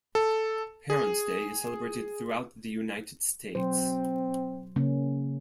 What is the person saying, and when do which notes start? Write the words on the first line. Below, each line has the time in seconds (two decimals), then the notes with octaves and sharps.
Parents' Day is celebrated throughout the United States.
0.15 A4
0.90 G#4
3.55 B2 F#3 C4 C5
4.76 C#3 A#3 C#4